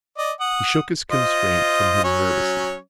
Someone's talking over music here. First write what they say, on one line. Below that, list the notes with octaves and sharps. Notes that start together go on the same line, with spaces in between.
He shook his constraint from him nervously.
D5 D#5
F#5 D#6
F4 C5 D#5
F#3 C#4 C#5